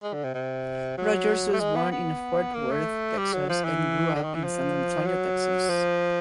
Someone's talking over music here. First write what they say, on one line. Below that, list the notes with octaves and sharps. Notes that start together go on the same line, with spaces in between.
Rogers was born in Fort Worth, Texas, and grew up in San Antonio, Texas.
G#3
D3
C3
C3
F#3
A3
G#3
B3
B3
A#3
A3
G3
F#3
F3
E3
D3
D#3
E3
F3
F#3
F3